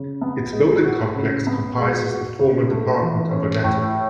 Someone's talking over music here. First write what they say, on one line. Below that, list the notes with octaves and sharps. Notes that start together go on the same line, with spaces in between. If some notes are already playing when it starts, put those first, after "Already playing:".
Its building complex comprises the former Department of Anatomy.
Already playing: C#3
B3
G#3
F#4
C#3
B3
G#3
F#4
C#3
A3
E3
C#4
A2